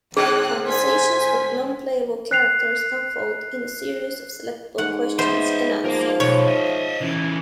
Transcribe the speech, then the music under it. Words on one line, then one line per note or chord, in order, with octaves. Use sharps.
Conversations with non-playable characters unfold in a series of selectable questions and answers.
G#2 D3 C4 G#4 F#6
C5 G#5 B6
F#6 C7 F7
G#2 F#5
B3 C5 D#5 E5
F3 A#4 F5
B1 C#5
D#5 E5
C#3 E3